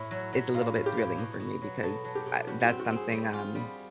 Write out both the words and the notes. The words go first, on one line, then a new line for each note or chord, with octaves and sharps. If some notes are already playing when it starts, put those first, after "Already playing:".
is a little bit thrilling for me, because, uh, that's something, um,
Already playing: A2 E4
F#3
F#3
A2 F4
A2
G4
A2
B2
B2
F#3
B2 A4
F#3
G4
B2
G3 F#4
F#4
C4
F#4
C4
G#4
G3
F4
G3